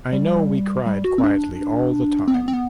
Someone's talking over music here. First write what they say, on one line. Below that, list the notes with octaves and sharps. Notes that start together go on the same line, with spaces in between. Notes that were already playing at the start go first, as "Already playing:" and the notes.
I know we cried quietly all the time.
G3
G3
F#4
C4
D4
C4
B3
C4
B3